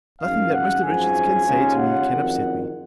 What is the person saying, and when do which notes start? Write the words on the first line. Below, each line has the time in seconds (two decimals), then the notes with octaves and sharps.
Nothing that Mr Richards can say to me can upset me.'
0.21 G#1 F#2 D#3 F5
0.52 F#5
0.83 G#1 F#2 F3 G#3 C#4 G#5
1.45 D#2 C#3 G#3 C#4 F4
1.75 F#5
2.07 F#1 F2 D#3